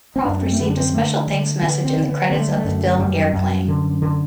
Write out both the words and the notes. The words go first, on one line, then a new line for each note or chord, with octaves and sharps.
Proft received a special thanks message in the credits of the film Airplane!
C4
F#2 D4
C4
A3
D3 B3
D4
C4
D3 A3
D3
D3 B3
C4
D3
B3
D3 B3
A3
G3
A3
F#2
F#2 G3
F#2
D3
D3